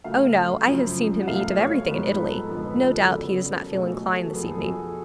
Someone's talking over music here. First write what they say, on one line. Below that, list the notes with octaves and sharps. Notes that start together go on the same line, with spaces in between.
"Oh, no; I have seen him eat of everything in Italy; no doubt he does not feel inclined this evening."
C#3 F#3 A3 F5
F#2 C#3 F3
F#5
B2 A3 F5
C#5
C#5
G#2 F3 G#3 B3 B4
B4
A4
F2 D3 F3 G#3 B3 A4
B4
A4
C#3 F#3 B3 D5
A4
B2 F#3 A3 G#4
F#4
A4
F2 F3 B3 G#4
A4
G#4
F#4